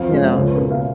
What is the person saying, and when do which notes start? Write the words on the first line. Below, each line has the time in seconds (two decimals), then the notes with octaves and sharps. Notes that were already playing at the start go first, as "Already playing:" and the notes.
you know,
Already playing: F2 F5
0.12 F3 G#3 C#4
0.35 C#2 C#5
0.47 B4
0.57 B2 A#3 C#4 A#4
0.70 F5